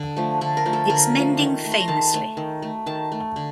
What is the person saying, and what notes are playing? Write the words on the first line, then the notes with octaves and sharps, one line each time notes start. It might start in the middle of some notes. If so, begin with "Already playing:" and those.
It's mending famously.
Already playing: D3
F3 A3
D3 A4
A#4
F3 A3
A4
D3 A#4
F3 A3
D#3
A3
C6
A#5
D#3 A5
A3
D#3
A3
D#3 A5
A3
D3